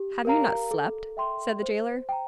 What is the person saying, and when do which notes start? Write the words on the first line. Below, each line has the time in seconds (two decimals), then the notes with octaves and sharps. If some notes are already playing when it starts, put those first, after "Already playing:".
"Have you not slept?" said the jailer.
Already playing: G4
0.25 A#4 F5 A#5
0.71 A4
1.17 E5 G5 C6
1.63 C5
2.09 G5 A#5